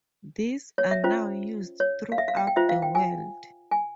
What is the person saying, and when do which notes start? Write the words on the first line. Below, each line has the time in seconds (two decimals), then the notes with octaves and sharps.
These are now used throughout the world.
0.78 C#5
0.91 E5
1.04 C#4 F4 C5
1.80 C#5
2.12 F5
2.18 E5
2.28 F5
2.37 G5
2.47 G5
2.56 F4 C5 E5
2.69 F5
2.82 G5
2.95 G#5
3.71 G#5